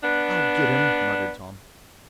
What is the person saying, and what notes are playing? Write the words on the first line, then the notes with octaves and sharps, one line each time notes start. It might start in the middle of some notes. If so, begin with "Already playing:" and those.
"I'll get him!" muttered Tom.
B3 D4